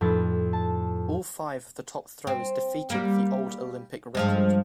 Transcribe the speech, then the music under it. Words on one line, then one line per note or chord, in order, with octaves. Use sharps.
All five of the top throwers defeated the old Olympic record.
F2 A2 D#4 B4 A6
A5
C4
G3 A#3
G2 F3 G#3